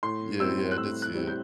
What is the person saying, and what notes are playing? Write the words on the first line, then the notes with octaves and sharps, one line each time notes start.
Yeah, yeah, I did see it.
A2 C6
G3 C4 E4 E6
F#6
A2 E6
F#6
G3 C4 E4
G6